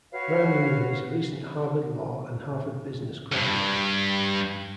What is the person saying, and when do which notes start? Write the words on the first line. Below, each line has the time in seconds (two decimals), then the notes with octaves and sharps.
Riley Moon is a recent Harvard Law and Harvard Business graduate.
0.11 F#4 B4 C#5 F5
3.32 E2 G2